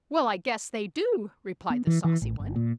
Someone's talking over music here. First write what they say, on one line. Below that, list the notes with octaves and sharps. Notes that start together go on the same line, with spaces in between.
"Well, I guess they do," replied the saucy one.
B3
E3
E3
A1
G1
A#2